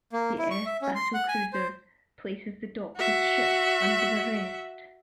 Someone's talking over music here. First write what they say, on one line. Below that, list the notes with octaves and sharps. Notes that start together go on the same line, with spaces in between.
The Earth battlercruiser places the Doctor's ship under arrest.
A#3
E4
C#6
E5
C#4
C6
F#5
G#5
C5
F#4 E5